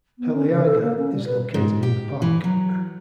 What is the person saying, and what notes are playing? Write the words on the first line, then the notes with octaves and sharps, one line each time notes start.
Peleaga, is located in the park.
B3
C#4
C#3
A4
A#3
C#4
G3
B4
G#2
G4
E3
F#3